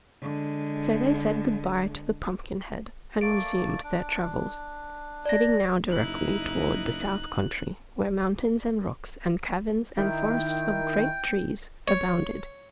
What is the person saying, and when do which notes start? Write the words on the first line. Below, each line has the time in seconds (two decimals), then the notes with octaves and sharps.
So they said good-bye to the Pumpkinhead and resumed their travels, heading now directly toward the South Country, where mountains and rocks and caverns and forests of great trees abounded.
0.21 D3 G#3
3.21 A3 A#3 D5 D7
3.84 D4
5.26 D5 A#6
5.89 F#1 D#4 E4 F#6
9.98 D#3 E4 G5
11.88 C#5